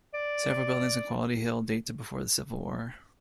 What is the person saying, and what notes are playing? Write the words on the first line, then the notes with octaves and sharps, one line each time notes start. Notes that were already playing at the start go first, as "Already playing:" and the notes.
Several buildings on Quality Hill date to before the Civil War.
D5